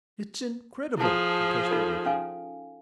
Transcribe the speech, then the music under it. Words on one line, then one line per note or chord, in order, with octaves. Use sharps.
"It's incredible!" protested Richard.
F3 E4 G#4 A5
D#4 F4 A4
C#4 F5 G#5